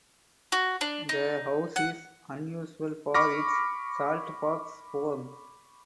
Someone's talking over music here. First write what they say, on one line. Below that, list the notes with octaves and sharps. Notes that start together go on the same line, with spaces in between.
The house is unusual for its saltbox form.
F#4
D4
D#4
F#5
B5 C#6 D6 F6 A#6